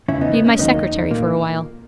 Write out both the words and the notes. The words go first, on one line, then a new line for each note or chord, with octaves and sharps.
Be my secretary for a while.'
E2 C#3 E3 C#4 E4
B3 D#4
B3
C#4
D#2 D#3 F#3 A#3 B3 D#4
A#2 A#3